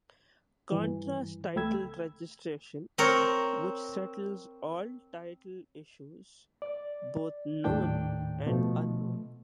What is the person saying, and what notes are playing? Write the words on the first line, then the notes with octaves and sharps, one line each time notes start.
Contrast title registration which settles all title issues, both known and unknown.
G2 E3
C#2 A3 G5 B5 E6 G#6
C4 A#4 C#5
D5
D#2 A2 D#3 D4 G5 G6
B2 F3 A3